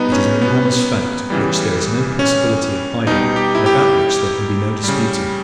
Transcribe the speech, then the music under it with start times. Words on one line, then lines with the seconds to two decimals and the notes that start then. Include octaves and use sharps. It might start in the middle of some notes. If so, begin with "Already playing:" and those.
It is an enormous fact which there is no possibility of hiding and about which there can be no disputing.
Already playing: B2 G3 B3 D#4
0.12 C#4
0.42 B3
1.30 C#3 E3 G3
2.19 C#4
3.07 B2 G3 D#4
3.36 G4
3.55 E4
3.66 G4
4.84 C#3 G3